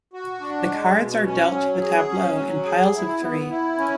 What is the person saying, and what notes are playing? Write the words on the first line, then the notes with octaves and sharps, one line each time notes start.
The cards are dealt to the tableau in piles of three.
F#4
D4
G#3
B2
C#4
F#3
G#4
C#4
F#3
G#4
E4
B3
E4
C#4